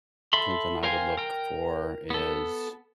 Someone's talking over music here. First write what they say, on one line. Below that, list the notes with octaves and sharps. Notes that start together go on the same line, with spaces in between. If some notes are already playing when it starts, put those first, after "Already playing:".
something I would look for is
A4 E5 B5 C6
A#4 C5 F5 G5 G#5
A#4 G5
B3 A4